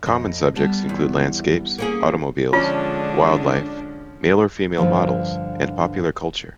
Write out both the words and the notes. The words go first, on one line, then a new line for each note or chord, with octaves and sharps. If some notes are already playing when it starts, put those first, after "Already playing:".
Common subjects include landscapes, automobiles, wildlife, male or female models, and popular culture.
F2 D#5
G3 B3 A5
E2
A#3 C#4 G#4
D3 F3 G#3 C#4 D4 F4
G2 D3 E3 F3